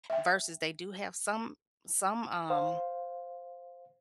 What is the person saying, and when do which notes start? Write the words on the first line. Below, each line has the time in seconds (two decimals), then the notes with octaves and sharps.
versus they do have some some, um,
0.10 E5 G5
2.50 C5 F5